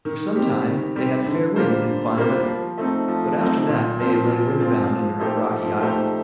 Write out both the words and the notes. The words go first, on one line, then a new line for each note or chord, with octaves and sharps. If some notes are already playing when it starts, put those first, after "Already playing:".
For some time they had fair wind and fine weather, but after that they lay wind-bound under a rocky island.
D#3
G3 C4 G4
D#3
G3 C4 G4
D3
G3 A#3 F4 C5
D3
G3 A#3 F4 C5
F3
A3 C4 D#4
F3
A3 C4 D#4
A#2
F3 C4 F4 C5
A#2
F3 C4 F4 C5
F3
A3 D#4 G4 C5
F3
A3 D#4 G4 C5